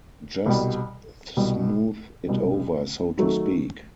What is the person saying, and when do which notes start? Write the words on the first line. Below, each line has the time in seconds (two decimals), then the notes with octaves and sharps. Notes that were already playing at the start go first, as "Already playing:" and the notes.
Just smooth it over so to speak.
0.46 C2 B2 G3
1.36 C2 B2 G3
2.27 C2 B2 G3
3.18 D#3 F#3 A3